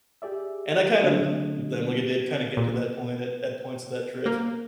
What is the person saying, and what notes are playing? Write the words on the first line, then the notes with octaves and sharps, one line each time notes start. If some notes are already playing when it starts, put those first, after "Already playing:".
And I kind of agree with them, like, it did kind of get to that point at at points of that trip.
G4 G#4 D5 E5
D3 F#3 A3 C4 D4 D#5
A#2
A#3